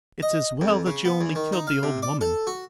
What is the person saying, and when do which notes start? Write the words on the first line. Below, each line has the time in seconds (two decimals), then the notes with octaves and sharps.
It's as well that you only killed the old woman.
0.22 D#5
0.61 F2
0.86 C#3
1.05 B3
1.21 E2
1.35 D#3
1.52 D#4
1.67 F5
1.83 C3
2.02 D5
2.21 A4
2.47 F#4